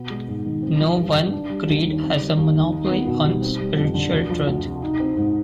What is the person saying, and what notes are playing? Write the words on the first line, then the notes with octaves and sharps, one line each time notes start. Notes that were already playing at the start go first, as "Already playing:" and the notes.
No one creed has a monopoly on spiritual truth.
Already playing: B2 B3
G#3
G#2
D#3
C4
F3
G2
D3
D4
G3
D#2
D#3
C4
G3
D#2
D#3
D#4
B3
B2
G3
C4
G3
F2
D3
D2
F3
D2
C3
D#4
C4
G#2